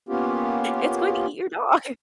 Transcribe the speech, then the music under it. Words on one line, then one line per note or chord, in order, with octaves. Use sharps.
It's going to eat your dog.
A#3 B3 C#4 F4 G4